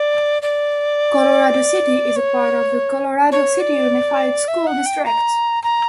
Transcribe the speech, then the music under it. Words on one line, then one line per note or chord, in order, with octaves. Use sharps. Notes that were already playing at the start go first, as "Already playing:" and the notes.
Colorado City is a part of the Colorado City Unified School District.
Already playing: D5
D5
C#5
C#5
D5
E5
F#5
G5
A#5
A#5